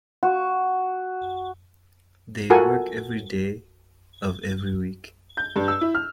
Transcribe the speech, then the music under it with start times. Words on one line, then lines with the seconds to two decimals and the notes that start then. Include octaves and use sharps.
They work every day of every week.
0.23 F#4
2.50 F4 F#4 A4 A#4 F#5 G#5
5.37 G6
5.56 G2
5.68 E6
5.81 E4
5.95 F6